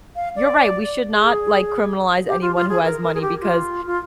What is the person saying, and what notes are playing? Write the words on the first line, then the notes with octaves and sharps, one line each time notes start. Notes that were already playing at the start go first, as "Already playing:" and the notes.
you're right, we should not like criminalize anyone who has money, because
F5
D5
G#4
G4
F4
F4
G#4
A#4
A#4
G#4
G4
F4
F4